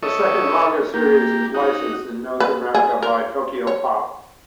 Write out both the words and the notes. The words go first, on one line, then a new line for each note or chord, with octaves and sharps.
The second manga series is licensed in North America by Tokyopop.
A4 C#5 D#5 E5
A#3 G4
D#4 F#4
B4
G#4
A#4
C#5